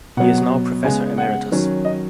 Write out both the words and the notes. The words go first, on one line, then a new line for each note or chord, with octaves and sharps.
He is now professor emeritus.
B2 F#3 B3 F#5
C#3 G#3 B3 G#5
F#5
D#3 F#3 C#4
D#5